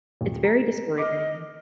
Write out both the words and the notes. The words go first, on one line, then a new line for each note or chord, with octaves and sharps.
It's very discouraging.
D#1
A#5
D#5 D6 F6